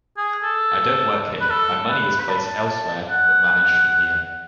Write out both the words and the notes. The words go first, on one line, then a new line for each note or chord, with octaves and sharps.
I don't work here, my money is placed elsewhere, but managed from here.
G#4
A4
B4
A4
B4
B5
A5
F#5